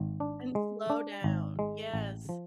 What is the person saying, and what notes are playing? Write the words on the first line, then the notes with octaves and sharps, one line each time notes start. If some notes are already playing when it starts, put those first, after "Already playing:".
And slow down. Yes.
Already playing: G#1
D4
G#3
D4
G#1
G#3
A1
F3